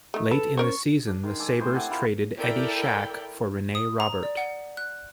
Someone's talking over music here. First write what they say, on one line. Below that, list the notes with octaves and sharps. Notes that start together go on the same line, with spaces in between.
Late in the season the Sabres traded Eddie Shack for Rene Robert.
D#3 A3
A4 B4
C#4 A#4 C5 C#6
D4
D#3 G#3
A4 D5 G#5
A2 A3 C4 C5
G4 A4 F#5 G#5
E4 F4 A4 A#4
E4 A4 A#4 D5 G5
D#6
A#5
D5
F#5
F#6